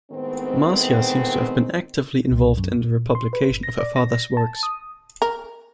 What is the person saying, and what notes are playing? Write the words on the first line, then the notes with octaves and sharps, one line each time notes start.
Marcia seems to have been actively involved in the re-publication of her father's works.
A2 D#3 G#3 B3 C4
C2
F#2
A#2
C6
B4
G1
A#6
D5
A#6
A5
D#6
A#4